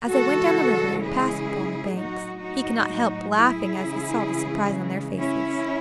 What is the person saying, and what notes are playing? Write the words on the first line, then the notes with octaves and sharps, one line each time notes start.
As they went down the river and passed people on the banks, he could not help laughing as he saw the surprise on their faces.
C#3 E3 G#3 F#4 A4
E4 G#4
A2 F#3 D#4 F#4
D#4 F#4
E4 G#4
C#3 E3 G#3
C#4 E4